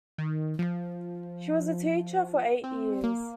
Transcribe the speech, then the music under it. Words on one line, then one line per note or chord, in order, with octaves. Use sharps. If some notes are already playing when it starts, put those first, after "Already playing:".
She was a teacher for eight years.
D#3
F3
C4
A#3